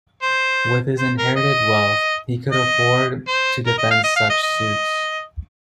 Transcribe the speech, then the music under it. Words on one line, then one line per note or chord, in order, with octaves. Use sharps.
With his inherited wealth, he could afford to defend such suits.
C5
C5
A#4
D#5
D#5
C5
A#4
D#5
F5
D#5
F5
D#5
D#5